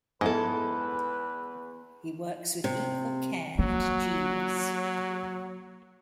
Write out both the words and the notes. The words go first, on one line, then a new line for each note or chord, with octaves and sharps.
He works with equal care and genius.
E2 G#2 G#3 B3 E4 G#4 A4 B4
C3
F#3 A#3